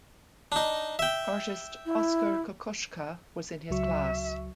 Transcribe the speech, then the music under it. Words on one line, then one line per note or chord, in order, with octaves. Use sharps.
Artist Oskar Kokoschka was in his class.
D4 D#4
E5 G5
E4
C#2 F#3 E5 C#6